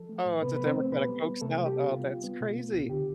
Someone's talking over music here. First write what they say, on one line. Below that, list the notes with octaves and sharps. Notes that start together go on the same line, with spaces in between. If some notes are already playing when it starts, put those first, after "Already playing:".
Oh, it's a democratic hoax now, Oh, that's crazy.
Already playing: F3 A4
A3
A2
C3 B3 B4
F3 B4
C4 C5
A3
B2 B3 B4
G3
B3
C3 A3 A4
G3
G4
B3
C3 F4
G3
B3
B2
B3
C2
D3 G4